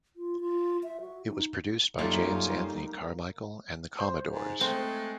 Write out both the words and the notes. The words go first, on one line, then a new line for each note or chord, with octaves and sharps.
It was produced by James Anthony Carmichael and the Commodores.
F4
F4
E5
F#4
D#4
F#2 G3 A#3 D#4 F4 A4 E5
C5
G#2
G#3 A3 C4